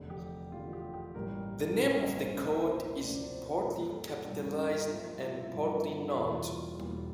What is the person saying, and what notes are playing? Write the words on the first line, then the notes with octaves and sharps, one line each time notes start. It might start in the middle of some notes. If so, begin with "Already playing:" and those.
The name of the "Code" is partly capitalized and partly not.
Already playing: F1 E2 D3
G4
F1 E2 D3 F4
G4
G4
A1 G2 E3 G3 A#3 A#4
A1 G2 E3 G3 A#3 C5
C5
D2 C3 F3 A#3 A4
C5
C5
D2 C3 F3 A#3 D5
C5
A#4
G2 E3 G3 A#3 A#4
A4
G4
G2 E3 G3 A#3 A4
G4
F4
G2 F3 C4 E4
F4
E4
G2 F3 C4
E1 E2 E3 G3 A#3 F4
E1 E2 E3 G3 A#3